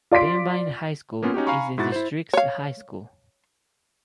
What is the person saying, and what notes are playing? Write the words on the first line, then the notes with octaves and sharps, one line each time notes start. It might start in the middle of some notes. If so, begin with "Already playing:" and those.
Pembine High School is the district's high school.
F4 D5 C6 B6 D7
A#3 B3 C#4 F4
C#4 D#4 F#4 G4
F5 G#5 A#5 B5 C#6
G#2 E4 F#4 A6
E4 C5
C#5 F5